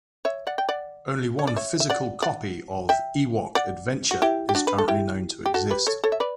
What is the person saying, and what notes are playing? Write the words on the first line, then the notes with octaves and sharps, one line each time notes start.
Only one physical copy of "Ewok Adventure" is currently known to exist.
C#5 E5
D5 F#5
G5
D5 F#5
C#5
D5
C#5 E5
E5
D5 F#5
D5 F#5
E5 G5
D5 F#5
F#4
E4 G4
G4
D4 F#4
B4
A4
E4 G4
G4
F#4 A4
G4 B4
A4 C#5
A4 C#5
E5
B4 D5